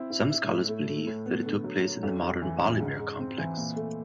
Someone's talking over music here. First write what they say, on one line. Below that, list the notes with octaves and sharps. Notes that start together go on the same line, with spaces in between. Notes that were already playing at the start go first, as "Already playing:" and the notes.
Some scholars believe that it took place in the modern Balymer complex.
Already playing: C4 E4
E4
E4
A2
A3
A3
A2
B3
D3
F#3
F#3
F2
F2
E3
C#3
G#2
G#2
C4
E3
A#2
A3